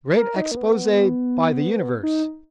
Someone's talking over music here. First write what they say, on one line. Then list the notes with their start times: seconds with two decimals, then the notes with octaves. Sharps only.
Great Expose by the 'Universe'!
0.15 A#4
0.36 D#4
0.51 A#3
0.57 B3
2.03 D#4